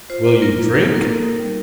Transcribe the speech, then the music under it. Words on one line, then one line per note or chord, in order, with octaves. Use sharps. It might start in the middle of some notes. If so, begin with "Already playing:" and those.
"Will you drink?"
F4 C5
A#3
F4 A#4
A#3
D#4 A#4
A4
A#3 A#4
A#3
D#4
G3